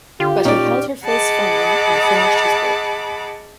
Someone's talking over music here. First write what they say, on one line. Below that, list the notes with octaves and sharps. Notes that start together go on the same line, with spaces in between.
But he held her face firmly and finished his work.
D3 F4 G4
A#2 C#4 D#4 D5
G#4 D#5 F#5 A5 B5 D6